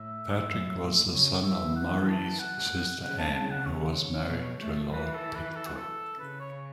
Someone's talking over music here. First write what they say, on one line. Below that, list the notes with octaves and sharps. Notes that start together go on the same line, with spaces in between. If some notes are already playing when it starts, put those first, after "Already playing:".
Patrick was the son of Murray's sister Anne who was married to Lord Pitfour.
Already playing: A2 E5
F#2
A2
C#3 C#5
E3 E5
F#5
A5
F#5
C#3 F#5
A5
A5
F#5
C#5
B2
A3
E3 B4
A4
B4
A4
F#4
A4
C#3 B4
C#5